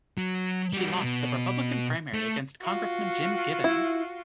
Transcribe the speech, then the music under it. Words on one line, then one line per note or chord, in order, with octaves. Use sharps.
She lost the Republican primary against Congressman Jim Gibbons.
F#3
G3 F#4
B2
A3
F4 F#4
E4